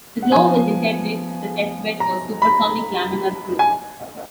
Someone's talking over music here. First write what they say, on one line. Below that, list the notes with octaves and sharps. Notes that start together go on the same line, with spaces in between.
The glove is intended as a testbed for supersonic laminar flow.
F#5
F3 B3 G#5
A#5
B5
G#5